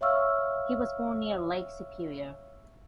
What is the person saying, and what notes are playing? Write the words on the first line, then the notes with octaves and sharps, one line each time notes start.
He was born near Lake Superior.
C#5 E5 F5 C#6 E6 F6